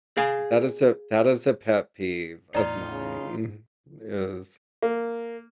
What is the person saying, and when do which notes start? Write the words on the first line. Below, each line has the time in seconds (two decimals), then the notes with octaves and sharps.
That is a that is a pet peeve of mine is
0.17 G#4 F5
2.55 E2 A2 D#4 F4 D5 A#5
2.90 C#3
4.83 A#3